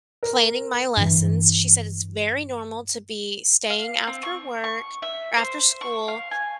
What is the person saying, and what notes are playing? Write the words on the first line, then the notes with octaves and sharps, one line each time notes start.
planning my lessons. She said it's very normal to be staying after work or after school,
A#4
G2 E3
F5
C4
C#6
C#6
E5
C5
C#6
F5
G#5